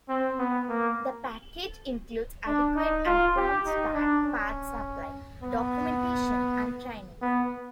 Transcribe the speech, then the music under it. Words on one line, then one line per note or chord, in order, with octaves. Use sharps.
The package includes adequate and prompt spare parts supply, documentation and training.
C4
B3
A#3
D4
D#4
F4
G4
D#4
D4
C#4
B3
B3